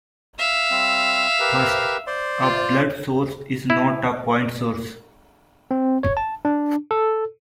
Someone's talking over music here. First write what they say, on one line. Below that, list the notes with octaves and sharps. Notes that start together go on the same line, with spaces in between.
First, a blood source is not a point source.
E5 F5
G3 C4
G4 A#4 B4
C5 D5 C6
F4
E4
C4
C#5
A5
D4
A4